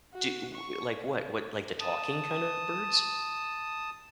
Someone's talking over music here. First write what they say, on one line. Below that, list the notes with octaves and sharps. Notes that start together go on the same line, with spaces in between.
do y w like, what what like, the talking kinda birds?
F#4
C#6
A5 D#6